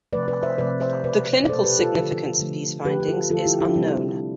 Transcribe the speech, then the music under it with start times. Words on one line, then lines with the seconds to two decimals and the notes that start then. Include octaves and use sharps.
The clinical significance of these findings is unknown.
0.13 C3 F3 A3 B4 D5
0.28 B4 D5
0.43 C5 E5
0.58 C3 F3 A3 B4 D5
0.81 C5 E5
1.04 B2 A3 B4 D5
1.44 D5
1.49 B2 A3 A4 C5
1.64 G4 B4
1.79 F4 A4
1.95 D3 F3 A3
2.39 D3 F3 A3
2.85 D3 F3 A3 G4 B4
3.00 G4
3.08 F4 A4
3.30 D3 F3 A3 F4 A4
3.45 E4 G4
3.60 E4 G4
3.69 D4
3.76 C3 G3 C4 E4